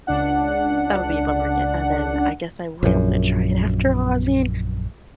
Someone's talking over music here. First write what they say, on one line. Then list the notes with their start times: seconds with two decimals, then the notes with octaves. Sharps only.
That would be a bummer ge uh, then, I guess I wouldn't wanna try it after all, I mean,
0.07 C#2 D4 F#5
2.83 A#1 F#2